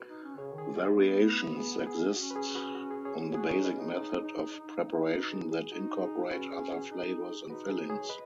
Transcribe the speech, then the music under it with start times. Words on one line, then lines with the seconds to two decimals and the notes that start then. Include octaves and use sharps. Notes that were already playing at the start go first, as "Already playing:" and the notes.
Variations exist on the basic method of preparation that incorporate other flavors and fillings.
Already playing: F#4 B4
0.09 D#4
0.24 C#4
0.38 C#3 G#4 C#5
0.52 D#3
0.58 G#4
0.76 F#3 F#4
0.83 G#3
0.97 B3
1.57 G#4
1.87 G#4
2.16 C#4 F#4
2.31 B4
2.36 G#4
2.55 F#4 B4
2.75 F#4
2.91 G#4
3.05 G#4 C#5
3.35 F#4 G#4
3.49 D#4 G#4 C#5
3.64 C#4 B4 D#5
3.79 D#4
3.94 D#4
4.23 D#4
4.53 D#4
5.13 F#4 B4
5.32 G#4
5.52 G#4
5.71 D#4 F#4
6.01 G#4
6.31 C#4 F#4 B4
6.51 G#4
6.71 G#4
6.91 D#4
7.49 D#4 F#4 B4
7.69 G#4
7.90 G#4 C#5
8.09 B4 D#5